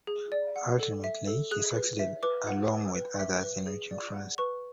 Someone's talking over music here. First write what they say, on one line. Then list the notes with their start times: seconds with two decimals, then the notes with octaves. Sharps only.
Ultimately he succeeded along with others in reaching France.
0.07 G#4
0.32 D5
0.56 F#5
0.80 A4
1.04 E5
1.27 A4
1.51 G#4 F#6
1.75 B4
1.99 E5
2.23 B4 D6
2.47 F#5
2.70 B4
2.95 B4
3.19 E5
3.43 B4
3.66 G#4
3.91 D5
4.14 F#5
4.38 B4 C#6